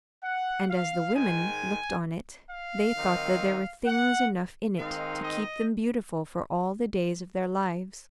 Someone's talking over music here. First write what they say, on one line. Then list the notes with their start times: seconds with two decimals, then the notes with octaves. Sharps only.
And as the women looked on it they thought that there were things enough in it to keep them beautiful for all the days of their lives.
0.23 F#5
0.69 F5
1.14 G#2 D#3 G#3 G#5
2.50 F5
2.96 D#3 F#3 C4 D#4
3.86 F#5
4.78 D#3 G#3 C4 D#4 F5
5.23 D#5